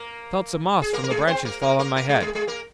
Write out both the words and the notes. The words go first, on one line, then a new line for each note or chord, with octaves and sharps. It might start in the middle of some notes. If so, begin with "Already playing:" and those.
I felt some moss from the branches fall on my head.
Already playing: A#3 A#4
G#4
A#3 A#4
A#4
G#3 G#4
C4 C5
A#3 A#4
A#3 A#4
A#3 A#4
A#3 A#4
G#3 G#4
G#3 G#4
G#3 G#4
A#3 A#4